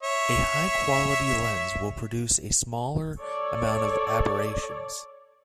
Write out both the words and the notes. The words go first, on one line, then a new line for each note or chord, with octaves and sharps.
A high quality lens will produce a smaller amount of aberrations.
C#5 E5
A4 C#5 D5